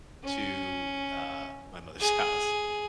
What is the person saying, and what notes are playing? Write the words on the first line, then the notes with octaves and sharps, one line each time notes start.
to, uh, my mother's house?"
C#4
G#4